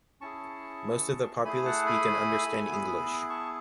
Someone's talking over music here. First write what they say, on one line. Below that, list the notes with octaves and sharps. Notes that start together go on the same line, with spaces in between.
Most of the populace speak and understand English.
C#4 E4 G#4 A5 C#6
A3 E4 G#4 G#5 B5
F#5 A5
G#5 B5
B3 E4 G#4
A5 C#6